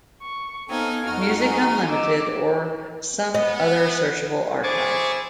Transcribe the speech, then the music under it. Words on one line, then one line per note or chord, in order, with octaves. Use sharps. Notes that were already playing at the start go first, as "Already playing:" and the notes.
Music Unlimited, or some other searchable archive.
C#6
B3 C4 D#4 A4 F5 G#5
F2 D#4 F#4 F6
G#4 G#5 A#5
D#5 D6 E6
B3 D#5
E4 G#4 C5 C#6 D6 A6